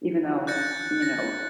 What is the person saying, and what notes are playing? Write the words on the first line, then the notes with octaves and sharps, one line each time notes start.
even though, you know,
F#6 G6 A6 A#6 C#7
A#6